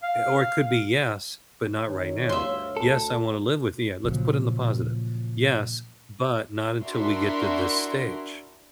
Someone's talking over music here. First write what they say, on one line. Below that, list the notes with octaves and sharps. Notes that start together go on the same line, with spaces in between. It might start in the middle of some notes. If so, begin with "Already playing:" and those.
Or it could be yes, but not right now. "Yes, I want to live with you." Let's put in the positive. "Yes, but not until we get to this stage."
F5
D#3 C#5
D2 G2 E5 F5 C6
D2 A4
A#2 C#3 F3 F#3
D4 E4 F#4 A#4 E5 C6